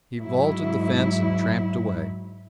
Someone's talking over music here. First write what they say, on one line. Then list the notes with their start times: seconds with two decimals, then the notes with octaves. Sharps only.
He vaulted the fence and tramped away.
0.20 G#2 F#3 E4